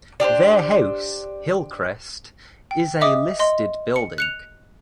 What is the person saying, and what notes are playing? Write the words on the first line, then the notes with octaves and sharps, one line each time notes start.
Their house, Hillcrest, is a listed building.
D4 G4 A4 C5
G5
D#5 E5 D6 D#6
D#5 C6
C#7
F#6 C#7 F7